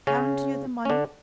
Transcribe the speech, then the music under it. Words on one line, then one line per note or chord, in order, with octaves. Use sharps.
Haven't you the money?
C#3 C#4
C#4
D3 D4